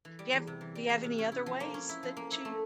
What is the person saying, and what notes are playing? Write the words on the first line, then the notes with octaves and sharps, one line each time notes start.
Do you have do you have any other ways that you
E3
G3
E2
C3
E3
G3
E2
C3
C#4
E4
F3
A#3
C#4
E4
F3
A#3
E4
A3